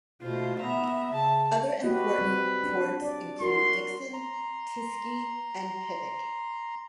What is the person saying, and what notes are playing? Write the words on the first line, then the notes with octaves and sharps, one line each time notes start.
Other important ports include Dikson, Tiksi, and Pevek.
B2 A3 F4 C5
B3 E5 A#5
C#3 A5
F#4 G4 B4 D#5
G3 C4
D4
D5
F#4 A#4 C6
A#5 C6